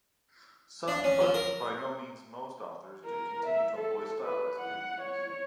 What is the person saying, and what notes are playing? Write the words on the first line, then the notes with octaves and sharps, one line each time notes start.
Some-but by no means most-authors do continue to employ stylized pen names.
D4
C#4
F3
A#4
A#4
E5
A4
B4
F#5
C#5